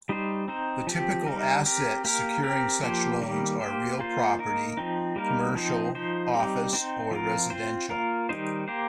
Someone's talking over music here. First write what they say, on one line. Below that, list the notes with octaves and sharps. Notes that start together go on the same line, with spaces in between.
The typical assets securing such loans are real property - commercial, office or residential.
G3 D#4 C5
C4 D#4 C5
F3 C4 G4
G3 D#4 A#4
C4 G4 A#4
A#3 G4 A#4
C4 G4 A#4
F3 A#3 G4 C5
D#3 G3 A#3 G4
A#3 G4 C5
A#3 F4 C5
A#3 D#4 A#4
F3 C4 D#4
G3 A#3 D#4 A#4
F3 C4 D#4 C5
F3 D#4 C5
G3 C4 D#4 G4
C4 D#4 C5
F3 C4 F4 A#4
C4 F4 C5
A#3 F4 A#4
D#3 G3 D#4 C5
A#3 G4 C5